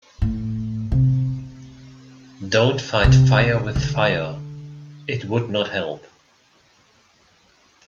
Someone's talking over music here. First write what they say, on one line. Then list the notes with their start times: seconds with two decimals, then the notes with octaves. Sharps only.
Don‘t fight fire with fire, it would not help.
0.22 A2
0.92 C3
3.04 C3
3.76 D3